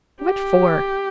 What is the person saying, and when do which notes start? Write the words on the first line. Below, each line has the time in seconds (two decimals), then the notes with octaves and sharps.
"What for?"
0.22 G4